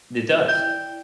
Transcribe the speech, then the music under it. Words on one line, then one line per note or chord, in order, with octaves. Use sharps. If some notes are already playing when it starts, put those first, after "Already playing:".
It does.
E4 D5 G5 G6